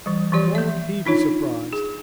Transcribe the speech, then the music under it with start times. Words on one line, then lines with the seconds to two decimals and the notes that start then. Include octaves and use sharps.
"Won't he be surprised!"
0.06 E3 G3
0.32 E3 F3 G4 D5
0.55 A#3 E5
1.06 D4 D#4 F4 C#5
1.73 G#4